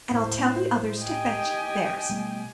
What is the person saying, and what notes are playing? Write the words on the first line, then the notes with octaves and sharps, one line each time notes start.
And I'll tell the others to fetch theirs.'
A2 E4 C5
G4 D#5 G5 G#5
B2 G3 A3